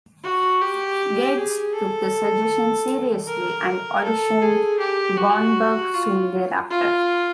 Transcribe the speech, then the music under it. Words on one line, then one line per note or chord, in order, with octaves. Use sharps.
Getz took the suggestion seriously, and auditioned Bromberg soon thereafter.
F#4
G4
G#4
A4
A#4
A4
G#4
G4
F#4
F4
F4